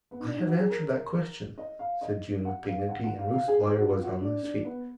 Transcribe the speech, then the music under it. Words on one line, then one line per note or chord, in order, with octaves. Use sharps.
"I have answered that question," said June with dignity and Rufe's lawyer was on his feet.
B3
D#4
D4
D#4
F#4
G#4
A#4
D#5
F5
D#5
F#5
F5
F#5
F#5
F5
F5
G#4
G#4
F#4
F4
F#4
D4
D4
B3